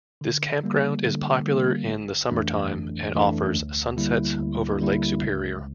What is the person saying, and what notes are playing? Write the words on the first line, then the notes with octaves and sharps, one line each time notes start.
This campground is popular in the summertime, and offers sunsets over Lake Superior.
D3
G3 A#3
D3
G3 A#3
G1
F2 E3 A3 D4
G1
F2 E3 A3 D4
D2
D3 G3 A#3 E4
D2
D3 G3 A#3 E4
C#2